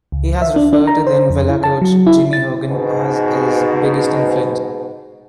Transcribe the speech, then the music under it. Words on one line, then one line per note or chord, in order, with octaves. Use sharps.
He has referred to then Villa coach Jimmy Hogan as his biggest influence.
C#2
E5
D4
D4
A#5
C5
F2
E4
A5
F#3
E4
A6
G#2 B2